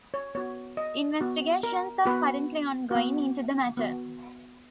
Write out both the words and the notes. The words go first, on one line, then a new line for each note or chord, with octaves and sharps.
Investigations are currently ongoing into the matter.
C#5
B3 F#4 C#5
D#5
B3 F#4
A#4
B3 F#4 B4
B3 F#4
B3 F#4